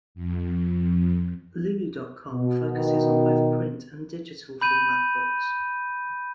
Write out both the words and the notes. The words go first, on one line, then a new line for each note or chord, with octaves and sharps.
Lulu dot com focuses on both print and digital format books.
F2
B2
D#3
B5 G6 D#7